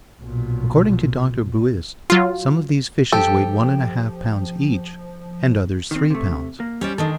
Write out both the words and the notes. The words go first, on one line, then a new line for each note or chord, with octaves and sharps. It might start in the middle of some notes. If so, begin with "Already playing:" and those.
According to Dr. Buist, some of these fishes weighed one and a half pounds each and others three pounds.
B1 A#2
F#3 F4
F3 G4 A4 G5
D#3 C4
C3 A3
A#3
G3 C#4 C5 D5
D#3 G#3 D4 D#4 A4